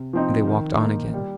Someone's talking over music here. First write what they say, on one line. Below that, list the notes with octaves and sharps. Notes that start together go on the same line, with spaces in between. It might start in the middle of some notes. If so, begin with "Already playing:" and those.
And they walked on again.
Already playing: C3
F3 C4 D#4
D#3
A#3 D#4
G3